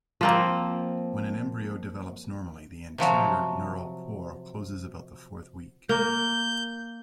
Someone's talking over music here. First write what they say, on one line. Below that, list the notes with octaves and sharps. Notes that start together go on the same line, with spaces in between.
When an embryo develops normally, the anterior neural pore closes about the fourth week.
F3 A#3 C4
C3 F3 F#3
A#3 G6